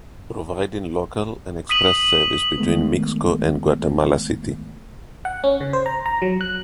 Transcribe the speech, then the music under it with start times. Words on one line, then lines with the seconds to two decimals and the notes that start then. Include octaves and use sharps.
Providing local and express service between Mixco and Guatemala city.
1.69 D#6 B6 D#7 F#7
2.58 D#3 G#3 A3 B3
5.25 F#5
5.44 C#4
5.61 C#3
5.73 C5
5.86 A#5
6.06 A#5
6.22 F#3
6.41 F#6